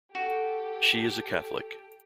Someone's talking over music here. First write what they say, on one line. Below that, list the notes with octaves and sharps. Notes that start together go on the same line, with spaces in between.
She is a Catholic.
F#4 G4 A4